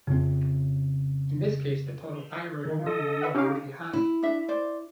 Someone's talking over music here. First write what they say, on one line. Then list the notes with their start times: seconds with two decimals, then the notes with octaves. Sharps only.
In this case, the total thyroid hormone level will be high.
0.07 F2 C#3 C4
2.65 D#3
2.86 A4 D#5
3.21 B4 E5 F#5
3.34 C#4 D#4 G4 F5
3.93 E4
4.23 D4 E5
4.49 C5 D5